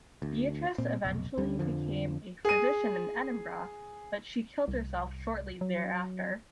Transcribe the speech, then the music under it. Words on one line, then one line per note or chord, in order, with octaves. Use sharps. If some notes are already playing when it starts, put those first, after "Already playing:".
Beatrice eventually became a physician in Edinburgh, but she killed herself shortly thereafter.
D2
A#2 C4
F1 B1
D2 D3 G3
F2 D3 F3
G#4 D#7
C2
F#3